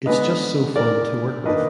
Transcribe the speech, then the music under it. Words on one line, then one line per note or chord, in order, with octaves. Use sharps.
It’s just so fun to work with.
D3 G#3 B3 D4 B4 D#5
A#4 D5
D#3 A#3 D4 B4 D#5